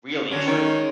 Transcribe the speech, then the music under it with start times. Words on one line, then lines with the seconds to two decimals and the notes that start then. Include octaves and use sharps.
Really true.
0.31 D3 F#3 C#4
0.47 D#3 C#4
0.66 G#3